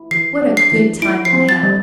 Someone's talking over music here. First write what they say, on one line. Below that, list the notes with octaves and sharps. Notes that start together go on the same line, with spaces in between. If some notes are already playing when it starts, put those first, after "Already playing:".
What a good time we'll have!
Already playing: E4
E3 C7
D4
C7
E3
E4 D7
C7
C4
A6
G3